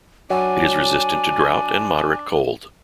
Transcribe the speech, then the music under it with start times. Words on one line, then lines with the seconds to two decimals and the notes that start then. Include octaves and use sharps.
It is resistant to drought and moderate cold.
0.30 F#3 D4 G#5